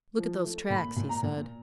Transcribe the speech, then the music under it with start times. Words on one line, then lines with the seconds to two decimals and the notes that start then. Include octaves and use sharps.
"Look at those tracks," he said.
0.18 F3
0.44 A3
0.70 A#2 B5
0.96 A#2
1.09 A#5
1.23 A#2